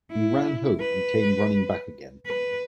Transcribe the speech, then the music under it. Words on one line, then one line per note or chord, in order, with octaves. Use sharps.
He ran home and came running back again.
E4
B4
B4